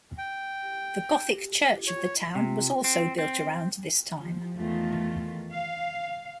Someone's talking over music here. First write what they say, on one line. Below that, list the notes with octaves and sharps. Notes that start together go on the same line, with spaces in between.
The Gothic church of the town was also built around this time.
G5
C#5
C3
C4
C4
F3
E2 D#3 A3 F4
F5